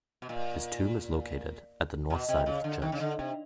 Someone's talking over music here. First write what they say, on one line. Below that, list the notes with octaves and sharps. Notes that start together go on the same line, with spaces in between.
His tomb is located at the north side of the church.
B2
A#2
B2
C3
C#3
D3
D#3
C#3
D3
C3